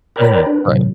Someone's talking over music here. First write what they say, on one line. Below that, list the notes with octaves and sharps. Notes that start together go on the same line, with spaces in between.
Mhm. Right.
A#4 C#5 D5 G5 A#5 B5
D4 B4
A2 C3 D#3 F#3